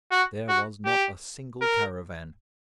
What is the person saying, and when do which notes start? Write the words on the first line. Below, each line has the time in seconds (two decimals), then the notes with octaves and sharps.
There was not a single caravan.
0.11 F#4
0.48 F#4
0.85 G4
1.61 A#4